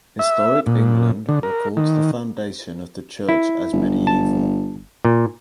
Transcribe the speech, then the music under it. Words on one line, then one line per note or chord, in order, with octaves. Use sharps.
Historic England records the foundation of the church as medieval.
E5
A#2
D3
A#4
D#3
E4
G1
A5
A#2